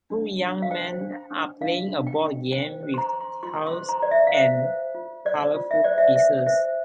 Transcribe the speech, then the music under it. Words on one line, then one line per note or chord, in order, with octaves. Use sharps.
Two young men are playing a board game with tiles and colorful pieces.
D4
D4
F5
C5 G5
D4
D4
D4 F5
D4
G5
D4
C5 G5
C5
C6
A#5
C5
C6
F4 C6
C6
C5
A#5
C5 D5
E5
F5
C5 E5
C5
F4
C5 D5
F4
E5
C5 D5
E5
C5 E5
C5 E5